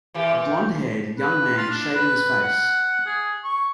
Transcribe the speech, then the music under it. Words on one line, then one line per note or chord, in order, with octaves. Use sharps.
A blondhaired, young man is shaving his face.
A#2 E3 G4
B4
F4
D4
B4
F#5
G#4
C#6